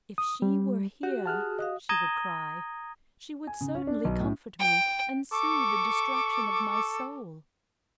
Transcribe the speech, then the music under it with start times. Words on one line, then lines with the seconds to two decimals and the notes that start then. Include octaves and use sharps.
"If she were here," she would cry, "she would certainly comfort me, and sooth the distraction of my soul."
0.18 D#6
0.42 G3
1.03 F#4 G4 F#5
1.26 G#4 A5 F6 F#6
1.59 D#5 F5 D#6 F#6
1.89 A#5 D#6 G#6 A#6 D#7 G7
3.47 G#5
3.61 C#3
3.75 C#4
3.87 D4
4.05 B1
4.20 A2
4.59 G5
5.32 A4 C#6 D6